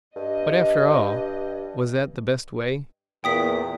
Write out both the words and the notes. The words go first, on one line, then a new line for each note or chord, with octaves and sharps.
But, after all, was that the best way?
G2 D#5
E2 A#2 G5 D#6 B6